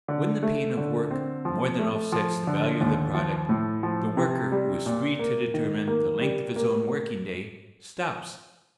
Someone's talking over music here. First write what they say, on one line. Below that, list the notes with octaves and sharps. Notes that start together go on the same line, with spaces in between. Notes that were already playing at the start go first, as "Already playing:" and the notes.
When the pain of work more than offsets the value of the product, the worker who is free to determine the length of his own working-day, stops.
D3
A3
D3
C4
F3
A3
F3
D3
D#2
F3
A2
F3
C3
G3
A#2
A#3
D#3
A#3
G3
A#3